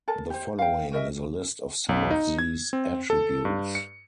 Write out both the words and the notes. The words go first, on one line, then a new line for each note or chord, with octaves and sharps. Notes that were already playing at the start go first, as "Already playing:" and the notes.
The following is a list of some of these attributes.
A4 A#4 A5
G4 C5
F5 G5
F#4 A#4 D#5 E5
B1
D#4
G#6
C4
A4
G2
C#7